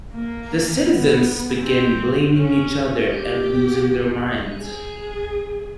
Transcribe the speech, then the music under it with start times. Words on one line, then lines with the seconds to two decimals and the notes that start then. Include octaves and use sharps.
The citizens begin blaming each other and losing their minds.
0.14 A#3
0.88 B3
1.62 C4
2.37 C#4
3.11 G4
4.59 G#4